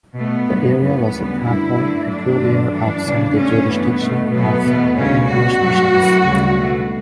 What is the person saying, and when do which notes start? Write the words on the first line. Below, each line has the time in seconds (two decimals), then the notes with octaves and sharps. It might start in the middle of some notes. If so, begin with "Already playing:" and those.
The area was a papal peculiar outside the jurisdiction of the English bishops.
0.14 B2 A3 B3
0.47 G2 D3 F#3
0.79 F#2 E3 A3 B3
1.11 D2 C#3 G3
1.43 F#2 D3 G3 E4
1.75 G2 D3 A3
2.07 G2 F#3 A3 D4
2.39 G2 D3 F#3 A3
2.71 F#2 E3 G3 D4
3.03 E2 C#3 G3
3.35 G2 D3 A3 C#4
3.67 G2 E3 A3 B3
3.99 B2 A3
4.31 B2 F#3 A3 B3
4.63 E2 B2 A3
4.95 D2 C#3 G3 C#4
5.27 B2 G3 F#4
5.59 G2 F#3 A3
5.91 F#2 E3 A3
6.23 D2 C#3 G3
6.55 B2 A3